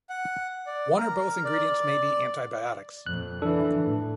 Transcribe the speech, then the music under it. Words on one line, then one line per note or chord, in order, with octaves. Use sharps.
One or both ingredients may be antibiotics.
F#5
D5
A#4
D5
F2 A#2 F#6
E3 D4 A4
A2